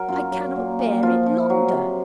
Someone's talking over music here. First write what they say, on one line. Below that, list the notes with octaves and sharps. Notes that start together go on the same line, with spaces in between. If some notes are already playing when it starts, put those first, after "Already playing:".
I cannot bear it longer!
Already playing: F#3 A#4
F#2 F4
F#3
A#2
A#2
F3 F4
F3
F#3
C3